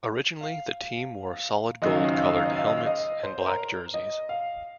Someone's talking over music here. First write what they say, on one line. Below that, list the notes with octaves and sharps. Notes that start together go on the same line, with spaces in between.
Originally, the team wore solid gold-colored helmets and black jerseys.
F5
F#1 F#2 D#3 D#5
F5
D#5
F5
D#5
F5
D#5
F5
D#5
F5
D#5
C5
C5
A#4
D#5
F5